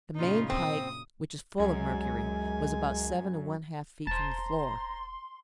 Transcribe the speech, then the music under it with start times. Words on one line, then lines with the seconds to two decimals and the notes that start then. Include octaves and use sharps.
The main pipe, which was full of mercury, was about seven and one-half feet from the floor.
0.16 F#2 A#2 C#3 D#4 F4
0.50 C4 D#6
1.60 C#2 F#2 G#3 G#5
4.07 E1 C5 A5 A#5 C6